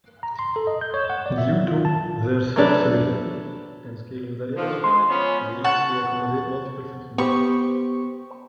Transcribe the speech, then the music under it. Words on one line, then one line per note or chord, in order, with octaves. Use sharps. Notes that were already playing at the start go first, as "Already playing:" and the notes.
Due to their self-similarity and scale invariance, they easily accommodate multiple frequencies.
A#5
C6
A4
D#5
G6
C#5
F#5
D5
E5
F#3
F4
A5
F#3 A3 D4 B4
D3 D#3 F3
G#3 C6
F3 B3 C#4
F#5 A5 C#6
B3 G4 C5 C#6